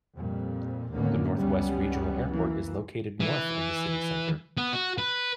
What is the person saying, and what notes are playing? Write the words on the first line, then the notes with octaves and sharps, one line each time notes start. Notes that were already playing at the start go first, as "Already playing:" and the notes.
The Northwest Regional Airport is located north of the city center.
F2 A#2 G3
A1 D#2 D3 A#3 B3 C#4
C#2 F#2 G3 B3 C#4
E3 A#3
E3
B3
F#4
B4